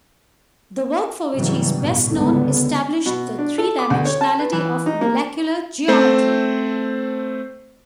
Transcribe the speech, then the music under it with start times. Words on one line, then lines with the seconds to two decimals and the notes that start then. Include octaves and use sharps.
The work for which he is best known established the three-dimensionality of molecular geometry.
1.34 G#2 C#3 E3 F#3 G3
1.77 A1 G2 B2
2.10 C#2 G#2 D3 G3 B3
3.06 B2
3.38 D4
3.58 A4
3.79 D6
3.90 D2
4.05 C#5
4.21 A5
4.39 B4
4.53 E3
4.86 D#4
5.01 A#3
5.88 A3 C4 C5